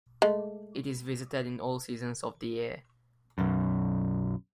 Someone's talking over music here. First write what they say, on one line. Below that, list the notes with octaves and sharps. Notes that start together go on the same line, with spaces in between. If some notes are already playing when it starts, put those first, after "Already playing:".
It is visited in all seasons of the year.
G#3 A3
B1 F#2